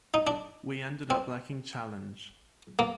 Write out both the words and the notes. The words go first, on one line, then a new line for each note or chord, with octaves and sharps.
We ended up lacking challenge.
D#4
D4
C4
A#3